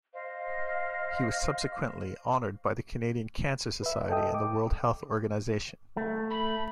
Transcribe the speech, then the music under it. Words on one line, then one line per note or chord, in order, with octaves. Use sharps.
He was subsequently honoured by the Canadian Cancer Society and the World Health Organization.
C5 D#5 F5
B4 E5
A4 D#5 G5 D#6
D6
A3
B5